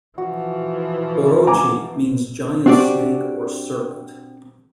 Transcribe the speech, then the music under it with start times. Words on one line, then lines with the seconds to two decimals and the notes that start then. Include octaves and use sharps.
"Orochi" means "giant snake" or "serpent".
0.18 E3 F3 F#4
1.47 G#5 A#5 D6
2.66 C4 D4 F#4 G4 D5